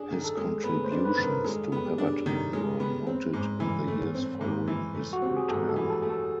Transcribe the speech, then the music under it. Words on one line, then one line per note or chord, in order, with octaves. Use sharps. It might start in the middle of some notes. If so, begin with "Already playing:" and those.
His contributions to Everton were noted in the years following his retirement.
Already playing: D4 G#4
D#3
A4
G#3
B3 B4
C5
D4
B4
D#3 B4
A#4
G#3 A4
G#4
B3
G4
D4
D#3
G#3
B3
C4
G#2
E3
A3
C4
G#2
E3
A3
F#4
C4 G4
G#4
G#2 A4
A4
E3
A4
A3
A4